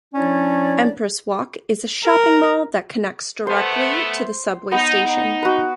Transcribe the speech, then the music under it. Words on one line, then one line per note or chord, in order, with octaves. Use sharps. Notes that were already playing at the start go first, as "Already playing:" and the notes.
Empress Walk is a shopping mall that connects directly to the subway station.
F3 C#4 D4 E4 C#5 D5
A#4
A3 B3 C5
B3 D#4
D#4
F#4 B4